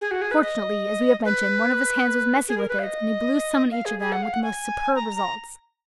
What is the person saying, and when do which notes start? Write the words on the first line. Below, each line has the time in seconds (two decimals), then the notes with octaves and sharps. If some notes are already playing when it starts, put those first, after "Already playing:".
Fortunately, as we have mentioned, one of his hands was messy with it, and he blew some on each of them, with the most superb results.
0.01 G#4
0.11 F#4
0.22 G#4
0.31 B4
0.42 D#5
1.25 B4
2.48 G#4
2.58 A#4
2.69 B4
2.79 F5
2.84 D#5
3.71 F5
3.85 G#4
3.99 G#4
4.12 F#5
4.23 F5
4.33 F#5
4.43 G#5
4.95 A#5
5.16 A#5